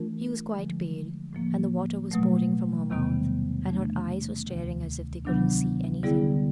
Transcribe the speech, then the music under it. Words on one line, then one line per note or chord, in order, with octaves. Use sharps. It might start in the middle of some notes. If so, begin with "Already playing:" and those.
She was quite pale, and the water was pouring from her mouth, and her eyes were staring as if they couldn't see anything.
Already playing: E3 A3 D4 F4 A#4
D3 F3 G#3
A2 F3 A#3
B2 F#3 A3
E2 C3 D#3 G3 B3
C#3 E3 A3 D4
D2 C3 D#3
C3 D#3 F#3 B3 D4
D3 G3 B3 E4 G#4